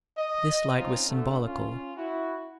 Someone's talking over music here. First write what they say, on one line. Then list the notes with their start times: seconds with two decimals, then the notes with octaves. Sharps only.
This light was symbolical.
0.18 D#5
0.77 C4 C#4 D#4 F4
1.09 D3 A3
1.46 C#4 F4
1.97 E4 F#4